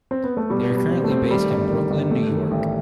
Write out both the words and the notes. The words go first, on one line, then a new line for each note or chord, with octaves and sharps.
They are currently based in Brooklyn, New York.
C4
B3
A3
B2 G3
B2
G3
C4
A3
C4
D#3 G3
G1
D#3
G1
A3
D#3
A1